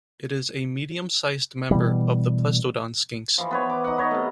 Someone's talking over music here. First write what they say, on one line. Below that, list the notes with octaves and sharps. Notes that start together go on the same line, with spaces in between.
It is a medium-sized member of the "Plestiodon" skinks.
B2 E3 G3
E3 F3
B3 B4 C#5
D6
D#4 F#5
B4 C#5 D#5
C3 A3